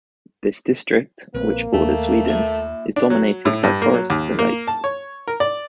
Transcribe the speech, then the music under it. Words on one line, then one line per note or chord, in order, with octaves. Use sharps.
This district, which borders Sweden, is dominated by forests and lakes.
A#1 A#3 C4 B4
D#2 A3
A#2 E5
D4
F#3
A2
G2
A#3
F#3
D#2
A#3
A5
C#5
A#4
D5